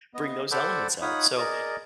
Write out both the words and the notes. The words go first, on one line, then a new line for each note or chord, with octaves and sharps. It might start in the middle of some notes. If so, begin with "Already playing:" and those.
bring those elements out. So
B3 D#5
A4 C5 D5 F#5 B5 D6
D#4 F4 C#5 F#5 B5 D#6
G#4 A#4 D5 D#5